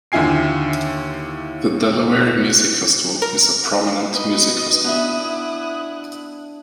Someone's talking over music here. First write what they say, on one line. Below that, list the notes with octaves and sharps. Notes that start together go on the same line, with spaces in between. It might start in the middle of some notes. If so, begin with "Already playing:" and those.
The Delaware Music Festival is a prominent music festival.
D#2 D3 E4 F4 G#5 C7
A#4
B2 B4 D#5
B3 D4 E4 E5 D#6 F#6